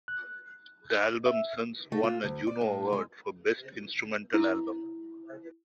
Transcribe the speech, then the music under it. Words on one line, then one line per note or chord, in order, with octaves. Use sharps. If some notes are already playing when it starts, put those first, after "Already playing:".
The album since won a Juno Award for best instrumental album.
F#6
E5
A3
F4
D2
D5
A2
G#3
E4